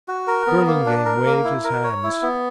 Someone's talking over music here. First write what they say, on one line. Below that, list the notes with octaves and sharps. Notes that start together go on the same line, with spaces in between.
Burlingame waved his hands.
F#4
A#4
B3
A#3
D4
A#4
A#3
E4
A#4
C#5
E4
B3